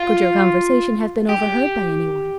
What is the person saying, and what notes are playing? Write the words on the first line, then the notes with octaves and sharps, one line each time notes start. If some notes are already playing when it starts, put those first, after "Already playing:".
"Could your conversation have been overheard by any one?"
Already playing: F4
G4